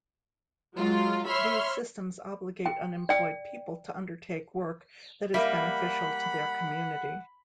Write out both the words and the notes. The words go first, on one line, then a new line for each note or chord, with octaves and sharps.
These systems obligate unemployed people to undertake work that is beneficial to their community.
F#3 G#3 F4
C#5 E5 B5 C6 F6
G5
D5 G5
G3 A#3 E5 F#5 B5